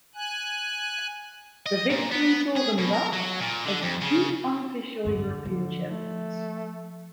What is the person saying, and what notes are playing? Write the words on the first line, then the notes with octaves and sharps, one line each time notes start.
The victory saw them dubbed as the unofficial European Champions.
G#5 F#6
D#5
A#2
B3
G#4
B2
A#4
F#3
A#2
D3
F2
C#3
G#1 F#2 D3
D3 F3
A3